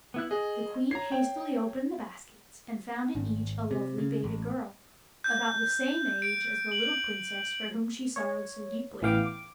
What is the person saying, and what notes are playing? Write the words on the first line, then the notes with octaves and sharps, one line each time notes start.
The Queen hastily opened the baskets, and found in each a lovely baby-girl, about the same age as the little Princess for whom she sorrowed so deeply.
B3 E4 F#6
G#4 D#5
C#5 A#5 C7
G5
G#1
C3
C#3
A1
G6
D7
F#7
C#5
A1 E3 B3 F5 G5 D6
D6